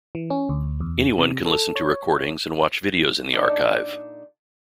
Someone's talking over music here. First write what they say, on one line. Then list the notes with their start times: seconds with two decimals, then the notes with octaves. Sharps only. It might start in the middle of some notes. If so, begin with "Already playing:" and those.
Anyone can listen to recordings and watch videos in the archive.
0.15 E3
0.30 C#4
0.49 D2
0.80 E2
1.18 C3
1.46 A4
1.76 C#5
3.32 A#2 D4 D#4 A4